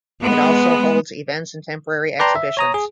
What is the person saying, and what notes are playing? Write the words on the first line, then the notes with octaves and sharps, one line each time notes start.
It also holds events and temporary exhibitions.
G#3 B3
B4 D5 G5 A5 A#5 C6
E5
C#5 A#5 D#6
G#4